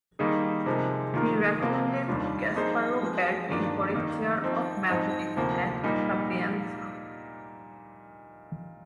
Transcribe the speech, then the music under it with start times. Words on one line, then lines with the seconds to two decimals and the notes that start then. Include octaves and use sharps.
He recommended Gasparo Berti for a chair of mathematics at Sapienza.
0.19 D#3 G3 A#3 D#4 G#4
0.66 C3 F3 G#3 D#4 A#4
1.14 D#3 A#3 F4 A#4
1.61 C3 F3 A#3 F4
2.08 D#2 D#3 G3 D4 F4
2.54 F3 A#3 D#4 G#4 C5
3.01 F3 G#3 C4
3.48 G2 D#3 A#3 D4
3.95 D#3 A#3 D#4
4.42 F3 C4 D#4
4.89 G#2 F3 C4 D#4
5.36 D2 C3 F3 A#3
5.84 A#2 G3 A#3 D#4